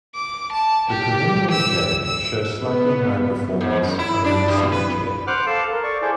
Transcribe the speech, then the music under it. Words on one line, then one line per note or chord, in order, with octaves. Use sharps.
The Collinear J shows slightly higher performance over the Super-J.
D6
A5
G4
E6
E6
B3
G#2
F#2
E4
D4
G2
B4
C5 F#5 D6 F6 F#6
A4 F5 A5
A#4
D5 C#6
E4 G#4 A4 C5 D5